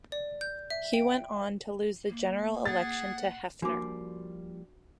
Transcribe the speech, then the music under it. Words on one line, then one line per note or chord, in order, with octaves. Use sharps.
He went on to lose the general election to Hefner.
D5
G6
E5
G5
A#3
G#4 F#5 A6
F3 G3 A#3 D4 F#4 D6